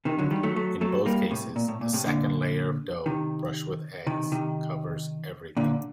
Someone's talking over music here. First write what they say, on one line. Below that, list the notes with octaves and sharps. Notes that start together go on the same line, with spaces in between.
In both cases a second layer of dough brushed with eggs covers everything.
C3 D#3
D3 F#3
D#3 G3
F#3 A3
F#3 A3
F#3 A3
G3 A#3
A2 C3
A#2
A2
A#2
A2 C3
A#2 D3
C3 D#3
C3 D#3
C3 D#3
A#2 D3